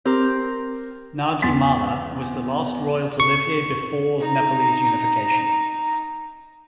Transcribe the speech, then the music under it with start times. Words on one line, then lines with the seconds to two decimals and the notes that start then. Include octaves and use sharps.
Nagi Malla was the last royal to live here before Nepalese unification.
0.05 C4 G4 A#4
1.42 E2 C6 A6 B6
3.20 C#6
4.20 D#4 A#5